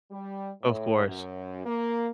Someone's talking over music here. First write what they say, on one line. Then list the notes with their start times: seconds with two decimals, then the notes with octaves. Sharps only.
Of course.
0.11 G3
0.62 A2
1.06 F#2
1.65 A#3